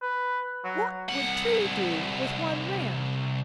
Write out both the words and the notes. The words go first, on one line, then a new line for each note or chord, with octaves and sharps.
What would two do with one ram?
B4
F#3
C2 F#5